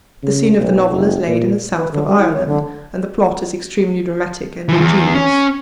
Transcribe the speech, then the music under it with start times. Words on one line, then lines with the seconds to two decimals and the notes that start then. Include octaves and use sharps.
The scene of the novel is laid in the south of Ireland, and the plot is extremely dramatic and ingenious.
0.23 C#3
0.59 B1
0.92 F#1
1.28 A#2
1.77 B4
1.92 D3
2.07 G3
2.19 E4
2.33 C#5
2.46 D3
4.69 E3 F3
4.80 E2
5.15 C#4